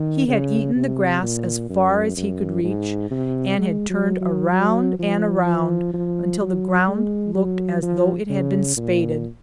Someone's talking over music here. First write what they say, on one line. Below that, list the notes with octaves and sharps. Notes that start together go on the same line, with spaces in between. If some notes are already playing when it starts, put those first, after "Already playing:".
He had eaten the grass as far as he could reach, and had turned around and around until the ground looked as though it had been spaded.
Already playing: D#3
C#3
C3
A#2
F#2
F#2
G#2
C3
G#3
F#3
F#3
F#3
F3
F3
F3
F#3
G#3
F#3
F3
C#3
A#2